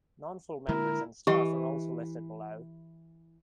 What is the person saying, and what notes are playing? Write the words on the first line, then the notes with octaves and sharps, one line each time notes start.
Non-full members and staff are also listed below.
D3 G#3 A#3 E4 A#4
E3 G4 D#5 C#6